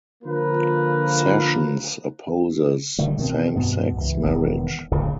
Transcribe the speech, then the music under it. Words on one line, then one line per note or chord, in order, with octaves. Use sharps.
Sessions opposes same-sex marriage.
D3 F3 A#3 F4 A#4 B4
D3 D#3 G3 A3
B2 D#3 A3 C4
G2 B2 B3
C#2 E3
E1 D#3 B3
D1 D2 A#2 C#3